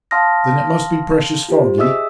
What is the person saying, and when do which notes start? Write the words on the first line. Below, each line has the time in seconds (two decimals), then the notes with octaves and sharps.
Then it must be precious foggy?'
0.11 F5 A5 C6 D#6 F6 A#6
1.49 F4 G4 C5
1.78 G#4 D#5 E5 D#6 E6 B6